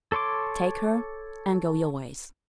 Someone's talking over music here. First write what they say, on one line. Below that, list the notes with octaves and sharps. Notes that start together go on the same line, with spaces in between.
"Take her and go your ways."
A4 C#5 C6 D6